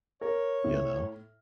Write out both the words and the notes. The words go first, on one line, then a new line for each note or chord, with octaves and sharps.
you know?
A#4 C#5
A2